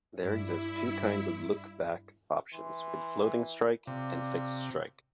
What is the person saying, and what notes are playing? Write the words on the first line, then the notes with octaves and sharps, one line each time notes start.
There exist two kinds of lookback options: with floating strike and with fixed strike.
G2 E4
E3 C6
C3 F4 D5